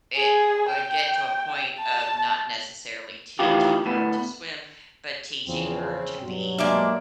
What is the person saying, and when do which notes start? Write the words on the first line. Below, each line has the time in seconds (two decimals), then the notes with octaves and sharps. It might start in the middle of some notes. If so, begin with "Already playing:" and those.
it would get to a point of not necessarily teaching her to swim, but teaching her to be
0.18 G#4
0.70 G5
1.80 A5
3.39 A2 D#3 E3 F4 G4
3.85 D2 A2 B3
5.48 E2 C#3 F3 C4
6.20 G2 B2 F#3
6.58 G#3 A#3 D4 D5 E5